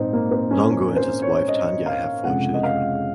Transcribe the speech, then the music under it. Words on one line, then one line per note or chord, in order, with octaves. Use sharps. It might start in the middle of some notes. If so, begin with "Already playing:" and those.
Longo and his wife Tanya have four children.
Already playing: A#1 G#2 C4 D#4
A#3
C4
C#4
C#4
C5
C#5
D#5
F5
F1 F2 C#3 G#3 F#5
D#5
F5